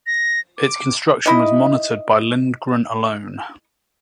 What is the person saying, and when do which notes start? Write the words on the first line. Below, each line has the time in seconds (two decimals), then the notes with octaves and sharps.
Its construction was monitored by Lindgren alone.
0.07 A#6
0.57 D6
1.26 D#4 E4 D#5